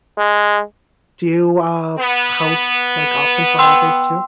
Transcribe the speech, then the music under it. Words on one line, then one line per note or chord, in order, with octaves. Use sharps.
Do you, uh, post, like, often for holidays too?
G#3
B3
G5 C6 E6